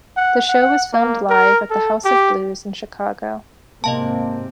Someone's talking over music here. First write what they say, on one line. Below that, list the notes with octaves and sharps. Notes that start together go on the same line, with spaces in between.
The show was filmed live at the House of Blues in Chicago.
F#5
F#5
A#3
A#4
A4
G4
G#2 C3 A#3 C4 D#5 F5 A5